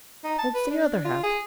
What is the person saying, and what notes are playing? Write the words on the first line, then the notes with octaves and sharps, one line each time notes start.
What's the other half?
D#4
A5
B4
D4
F4
G#4